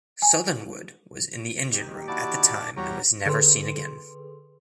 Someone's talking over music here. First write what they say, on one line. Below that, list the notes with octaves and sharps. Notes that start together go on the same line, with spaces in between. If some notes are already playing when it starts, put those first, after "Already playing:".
Southernwood was in the engine room at the time and was never seen again.
G#5
D#2 D#4 G4
E4 F#4 D5 A5
E2 G3 F#4 C#5 A#5
D3 G#4 A4 B4 C6